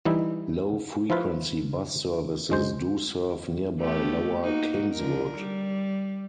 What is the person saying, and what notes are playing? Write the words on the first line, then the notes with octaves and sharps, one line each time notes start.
Low-frequency bus services do serve nearby Lower Kingswood.
E3 G3 D#4 E4
F3 E4 F4 B4
F#2 G#3 C5
A3 B3 G4
A#3 D#4 F#4
D3 F3 A#4
G3